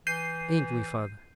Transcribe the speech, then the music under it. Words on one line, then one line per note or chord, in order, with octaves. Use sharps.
Ain't we, father?'
E3 G6 C7 D#7